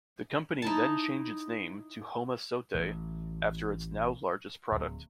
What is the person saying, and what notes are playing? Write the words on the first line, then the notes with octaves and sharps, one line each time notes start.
The company then changed its name to Homasote after its now largest product.
D#4 E4 A5
A1
D1